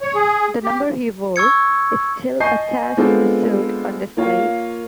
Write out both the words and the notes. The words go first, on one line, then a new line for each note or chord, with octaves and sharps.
The number he wore is still attached to the suit on display.
C#5
G#4
G4
C#6 E6 G#6 C#7
D#5 G#5 A5 C#6 G6 C7
G#3 B3 C4 D4 F4 A4
A#3 F4 A#4 C#5 F5